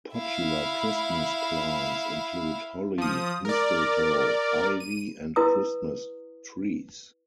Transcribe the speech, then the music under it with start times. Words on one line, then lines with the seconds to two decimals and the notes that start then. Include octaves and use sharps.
Popular Christmas plants include holly, mistletoe, ivy and Christmas trees.
0.14 E4 F5
2.98 F3 D#6
3.45 A#4 D5
4.80 D#7
5.36 E4 B4 A#5 D#6